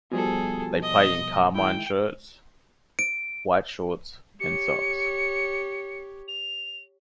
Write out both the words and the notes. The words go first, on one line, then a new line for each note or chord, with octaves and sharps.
They play in carmine shirts, white shorts and socks.
B2 F3 G3 G#4 A4
D#5
D#3 G#3 E4 G5
D7
G4 C#5 C#7
F7